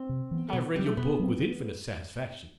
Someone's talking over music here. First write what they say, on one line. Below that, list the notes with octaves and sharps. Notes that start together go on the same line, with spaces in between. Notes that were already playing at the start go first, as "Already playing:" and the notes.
I have read your book with infinite satisfaction.
Already playing: C4
C3
E3 B3
A3
B2 B3
F#3 G3 C4
A3
B2 B3
F#3 C4